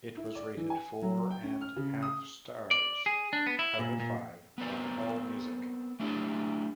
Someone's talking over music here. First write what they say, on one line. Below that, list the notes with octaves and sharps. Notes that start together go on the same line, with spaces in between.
It was rated four and half stars, out of five, by AllMusic.
E4
D5
E3
G#5
F#3
G5
C#4
F6
C#3
D#6
D5
G#4
D4
B3
E4
A#2
A#2
B3 C4 A#4 D5
A3 D4 E4 G4 D5